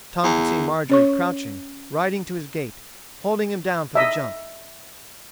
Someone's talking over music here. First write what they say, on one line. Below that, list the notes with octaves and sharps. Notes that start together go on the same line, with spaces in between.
Tom could see Marjorie crouching, riding to his gait, holding him down for the jump.
E2
C#4 C#5 C#6
D#5 E5